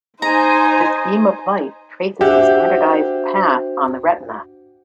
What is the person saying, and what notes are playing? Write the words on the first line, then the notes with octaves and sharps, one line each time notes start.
This beam of light traces a standardized path on the retina.
D#4 C5 G#5 A#5
D4 F#4 G4 C5 E5 F#5 G#5